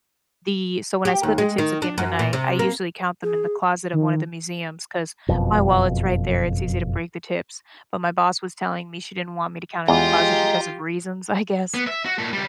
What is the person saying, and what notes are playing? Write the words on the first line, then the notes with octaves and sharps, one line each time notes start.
the so when I split the tips at the end of the night, I usually count them in the closet of one of the museums 'cause my wallet's right there; it's easy to break the tips. But my boss was telling me she didn't want me to count in the closet because of reasons, I guess,
G4
D#2
G#3
D#3
D4
F#2
A#2
C3
A#3
G#4
D#3
F#1 F2 B2
E2 G#3 F4 G4 D#5 G5 A#5
B3
E5
F#4
A#2 A3
C#2 G3